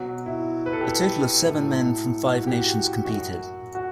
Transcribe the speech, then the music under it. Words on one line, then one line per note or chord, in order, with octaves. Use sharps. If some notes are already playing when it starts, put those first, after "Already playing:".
A total of seven men from five nations competed.
Already playing: B2 F#3 F#4
E4
B4
A4
G4
A4
A2 F#3
F#4
G4
F#4
F#2 F#3 F#4
F#4